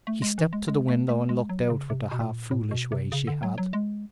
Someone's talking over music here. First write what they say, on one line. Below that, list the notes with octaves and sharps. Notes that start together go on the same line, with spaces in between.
She stepped to the window and looked out with the half-foolish way she had.
A3
G#3
E3
G#3
G#3
A3
A3
G#3
F#3
C#3
C3
B2
A#2
A2
B2
C3
C#3
D3
F#3
F#3
G#3